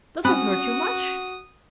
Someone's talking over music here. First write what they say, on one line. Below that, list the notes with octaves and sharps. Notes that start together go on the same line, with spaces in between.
Does it hurt you much?
C4 C#4 F#4 B5 D#6 F#6